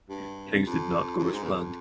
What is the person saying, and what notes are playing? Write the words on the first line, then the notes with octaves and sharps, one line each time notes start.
Things do not go as planned.
G2
F2
F2
F#2
G#2
E2
F2